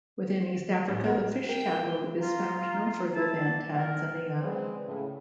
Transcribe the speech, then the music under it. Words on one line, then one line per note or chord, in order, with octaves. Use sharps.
Within East Africa, the fish taboo is found no further than Tanzania.
A1
B3 A#4
A#4 G5
F4 A#5
E4 A5
D5
A#4
C#3 G#3 C4 B4 C5 D5
A2 C#3